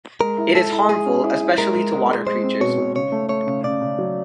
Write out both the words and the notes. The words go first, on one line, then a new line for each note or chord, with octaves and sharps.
It is harmful especially to water creatures.
G#3 A#4
E4
G#3 A4
E4
G#3 G#4
C#4
E4
E4
G#3 A#4
G#3
G#3
G#3
G#3 C5
C4
B2 C#5
B2
C#3 C#5
A3
A3 C#5
C#3
C#3 D5
C#3
F#3